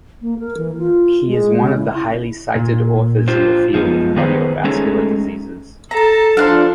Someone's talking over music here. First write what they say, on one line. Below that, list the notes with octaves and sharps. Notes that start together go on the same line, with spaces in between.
He is one of the highly cited authors in the field of cardiovascular diseases.
A#3
A#4
E3
F4
G#3
C#3
E4
A#2
D4 F4 G4 C5
F#2 F3 G#3 B3 D#4
D#3 B3 D#4 G#4 B4 C5
G#3 A3 C#4 D#4 G#4 A4
A4 A5 A#5
F3 D4 F5 F#5 C6